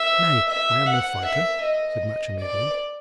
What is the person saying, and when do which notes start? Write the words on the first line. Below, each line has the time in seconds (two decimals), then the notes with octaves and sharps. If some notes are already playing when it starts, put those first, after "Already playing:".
"Nay, I am no fighter," said Matcham, eagerly.
Already playing: E5
0.49 E5
0.86 F#5
1.25 E5
1.62 D#5
2.39 D5